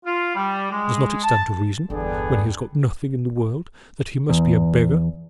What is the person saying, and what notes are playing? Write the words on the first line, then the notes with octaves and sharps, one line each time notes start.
Does not it stand to reason, when he has got nothing in the world, that he must be a beggar?
F4
G3
G#3
A5
G1 E2 G2 D3 B3 D4 G#4 G5
E2